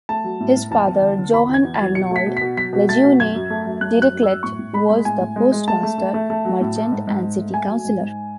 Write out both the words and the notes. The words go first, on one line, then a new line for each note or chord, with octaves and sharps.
His father Johann Arnold Lejeune Dirichlet was the postmaster, merchant, and city councilor.
A3 A5
F#3
A2
A2
E2 A5
E2
D3
D3
E2 B5
E2
G#6
E2
A6
F#3
B2 C#7
A3 B6
B2
B2 B6
F#3 B6
B2
A3 A6
B2
F#2 G#6
F#2
A3
F#2
A3 F#6
F#2
F#6
F#2
E6
F#2
A2 C#6
A2
G#3 B5
G#3
A2 G#5
A2
G#3
G#3
A3 A5
A3
A3
A3
A3
F#3
A2
A3
G#2
G#2
G#2
A3
A3 G#5
F#3
G#2
G#2